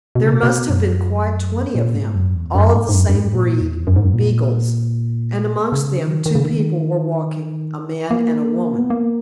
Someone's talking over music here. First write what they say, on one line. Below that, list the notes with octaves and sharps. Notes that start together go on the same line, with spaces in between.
There must have been quite twenty of them, all of the same breed--beagles--and amongst them two people were walking, a man and a woman.
B2
C#3
B2
B2
F#2
A#2
G#2
F#2
E2
F#2
G#2
G#2
F#2
F#2
G#2
A#2
E2
F#2
G#2
F#2
A#2
C#3
D#3
D#3
C#3
D#3
A#3
B3
A#3